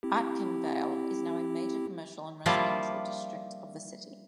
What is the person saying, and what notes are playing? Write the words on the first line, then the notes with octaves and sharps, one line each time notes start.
Aitkenvale is now a major commercial and residential district of the city.
C4 E4 G4
F3 G3 A#3 D4 E4 F4